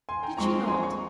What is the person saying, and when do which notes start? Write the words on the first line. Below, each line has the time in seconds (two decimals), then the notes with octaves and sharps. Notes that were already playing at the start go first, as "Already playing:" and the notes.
Did she not?
0.09 G#5 C6
0.23 G5 A#5
0.37 F3 G#3 C4 A#5 C#6
0.67 G#5 C6
0.83 A#5 C#6